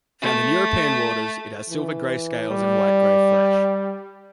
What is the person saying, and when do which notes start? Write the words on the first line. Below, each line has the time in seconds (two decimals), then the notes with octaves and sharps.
Found in European waters, it has silver grey scales and white-grey flesh.
0.22 A3
1.70 E3
2.51 G3 D5